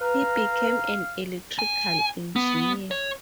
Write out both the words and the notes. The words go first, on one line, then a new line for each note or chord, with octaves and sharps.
He became an electrical engineer.
B4 F5 A#5
G#5
B3
C#5